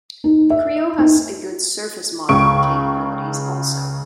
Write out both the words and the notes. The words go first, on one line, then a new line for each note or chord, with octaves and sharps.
Creo has a good surface modeling capabilities also.
D#4
E5
D#4
C#2 C#3 C#6 D7